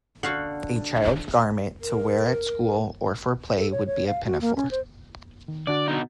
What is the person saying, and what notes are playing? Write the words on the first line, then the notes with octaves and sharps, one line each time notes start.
A child's garment to wear at school or for play would be a pinafore.
D3 F#4 F5 F#5
A#4
A4
C#5
C#5
F5
F#4
A#3
C#4
C5
D#3
D3 D4 F#4 D5
B2 D#4